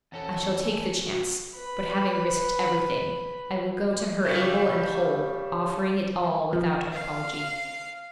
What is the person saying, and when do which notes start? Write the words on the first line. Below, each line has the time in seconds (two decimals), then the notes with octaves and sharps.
'I shall take the chance; but having risked everything, I will go to her able and whole, offering it all without an apology.'
0.12 E2 C#4 A4
1.02 F#4
1.55 B4 B5
4.25 C#3 G3 A3
6.53 F3
6.93 F5